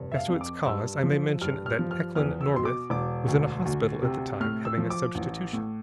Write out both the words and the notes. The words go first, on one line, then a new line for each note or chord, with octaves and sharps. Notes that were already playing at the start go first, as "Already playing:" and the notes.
As to its cause, I may mention that Eklan Norbith was in a hospital at the time, having a substitution.
Already playing: F1 G2
E5
F5
F2
D6
G2 E6
F3
G2 F6
F6
F3
F6
E2 F6
E6
B2 C6
D6
E1 D6
D2
D2
C3
A2 F6
E6
F3
D6
A1
A2